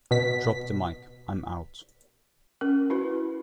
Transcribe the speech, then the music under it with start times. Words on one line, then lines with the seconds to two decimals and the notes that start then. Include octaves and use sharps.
Drop the Mic, I'm out.
0.11 B2 B6
2.61 C#4 A#4
2.90 E4 F#4 B4